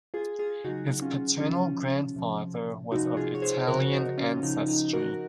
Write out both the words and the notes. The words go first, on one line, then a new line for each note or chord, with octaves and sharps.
His paternal grandfather was of Italian ancestry.
F4 G#4
F4 G#4
C#3 F#3 D#4 F#4
C#4 F4
C#3 F3 C#4 F4
C3 F3
C3 F3 D#4 F#4
F4 G#4
C#5
G#4 C5
C#3 F3 F#4 A#4
D#4 F#4
C#4 F4
C#3 F3 D#4
D#4
F#4 A#4